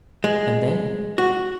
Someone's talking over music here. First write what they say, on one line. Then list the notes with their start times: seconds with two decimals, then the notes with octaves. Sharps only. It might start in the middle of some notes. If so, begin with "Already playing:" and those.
"And then?"
0.24 G#3
1.18 F#4